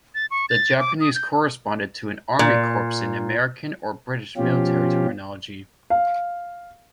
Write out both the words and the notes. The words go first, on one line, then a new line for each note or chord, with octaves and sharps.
The Japanese corresponded to an army corps in American or British military terminology.
A6
C#6
A6
D6
D#6
G6
A#2
B2 F3 C#4 F4 G4
F5